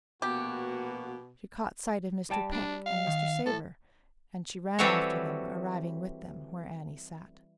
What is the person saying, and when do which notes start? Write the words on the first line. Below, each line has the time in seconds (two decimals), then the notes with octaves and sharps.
She caught sight of Mr. Peck and Mr. Savor, and she ran after them, arriving with them where Annie sat.
0.22 A#1 B2 A#3 B3 F#4 G4
2.30 G3 G5 A5
2.52 D4
2.86 F5
3.07 D#3
3.46 A2 A4
4.79 E3 G3 C4 F#4 A4 C#5